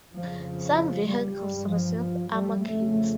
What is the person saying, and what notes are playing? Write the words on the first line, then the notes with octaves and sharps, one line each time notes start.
Some vehicles received armor kits.
F2 C#3 F3
F3
G3
G2
F3
F3
G3
F2 C#3 A3